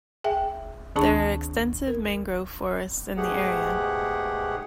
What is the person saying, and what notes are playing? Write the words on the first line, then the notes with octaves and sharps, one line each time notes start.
There are extensive mangrove forests in the area.
G#4 E5 G5 G#5
D2 D#3 D4 G#4 A5 C#6
A#4
G#2 B2 A3 G4 G#4 F#5